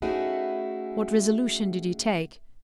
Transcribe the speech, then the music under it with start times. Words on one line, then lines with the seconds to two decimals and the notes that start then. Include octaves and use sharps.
What resolution did he take?
0.02 A3 C#4 D#4 E4 F#4 G#4